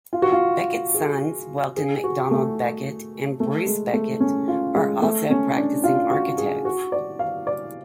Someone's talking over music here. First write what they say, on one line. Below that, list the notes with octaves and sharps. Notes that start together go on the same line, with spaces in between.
Becket's sons, Welton MacDonald Becket and Bruce Becket, are also practicing architects.
F4
F#4
F4
G#4
G#4
F#4
A3
A3
G#3
A3
C#4
F4
G#3
A3
C#4
D4
F4
F#4
G#4
F#4
D5
F5
D5